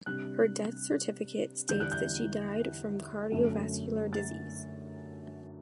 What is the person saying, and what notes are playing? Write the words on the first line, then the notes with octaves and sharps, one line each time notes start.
Her death certificate states that she died from cardiovascular disease.
C3 G3 D4 F#6
E2 D3 G3 D4 G6
F#6
G6
F#2 D3 A3
A6